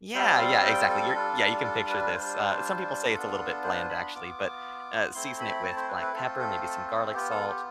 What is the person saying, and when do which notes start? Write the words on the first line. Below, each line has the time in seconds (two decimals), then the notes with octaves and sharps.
Yeah. Yeah. Exactly. You're yeah. You can picture this. Uh, some people say it's a little bit bland, actually, but, uh, season it with black pepper, maybe some garlic salt,
0.14 G3 C4 F4 G5
0.39 F5
0.64 G5
0.90 A4
1.15 G3 D4 F4
1.64 A4
1.90 B4
2.14 G3 D4 F4 C5
3.14 B3 D4 F4 A4
3.64 C5
3.89 B5
4.15 B3 F4 D6
5.14 A3 C4 E4 C6
5.40 B5
5.64 A5
5.76 C5
5.89 B4
6.01 B4
6.14 A3 C4 F4 A4
6.39 A4
6.64 A4
6.90 A4
7.14 B3 F4 G4
7.31 A4
7.48 G4